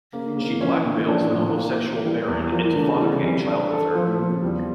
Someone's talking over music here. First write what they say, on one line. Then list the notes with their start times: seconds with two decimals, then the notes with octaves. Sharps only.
She blackmails the homosexual Baron into fathering a child with her.
0.13 C#3 A#3
0.25 D3
0.37 C#3 A#3
0.49 E3
0.61 F3 C#4
0.72 E3
0.84 A#2 D3
0.96 E3
1.08 F3 D4
1.20 E3
1.32 A2 F3
1.44 E3
1.56 A#3
1.80 A#3
2.04 E3 G3
2.28 E2
2.52 F3 A#4
2.63 E3
2.75 D3 A3
2.87 C#3
2.99 E3 G3
3.11 C#3
3.23 F2 E3
3.47 D4
3.70 A4
3.95 F3
4.07 A2
4.18 A#2 F3
4.30 C#3
4.42 E2 G3